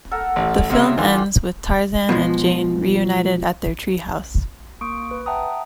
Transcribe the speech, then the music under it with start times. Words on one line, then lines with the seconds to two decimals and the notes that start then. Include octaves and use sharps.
The film ends with Tarzan and Jane reunited at their tree house.
0.11 A4 A#4 F#5
0.36 A1
0.70 C#2 C3 E5
0.98 D3 E3 F4 G4
2.09 B2 F3 G#3
4.81 A#3 C#6 D#6 D7
5.11 B4
5.26 E5 F#5 G5 A5 A#5 D#6